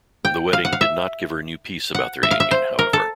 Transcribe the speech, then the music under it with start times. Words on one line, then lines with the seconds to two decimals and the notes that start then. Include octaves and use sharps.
The wedding did not give her new peace about their union, however.
0.25 G5
0.53 F5
0.65 F#5
0.73 F5
0.81 E5
1.95 F#5
2.23 E5
2.31 F5
2.40 E5
2.51 C5
2.79 A#4
2.93 A4